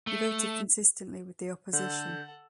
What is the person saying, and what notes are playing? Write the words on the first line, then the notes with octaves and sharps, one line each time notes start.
He voted consistently with the Opposition.
A3
D3 A4 F#5 G6